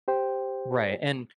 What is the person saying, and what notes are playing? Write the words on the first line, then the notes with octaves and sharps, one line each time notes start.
Right, and,
G4 C5 G5